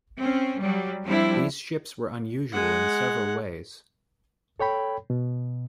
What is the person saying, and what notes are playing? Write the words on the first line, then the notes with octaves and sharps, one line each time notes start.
These ships were unusual in several ways.
C4 C#4
F#3 G3
F3 G3 C4 D4 E4
G#3 F#5
A4 C#5 G5 B5
B2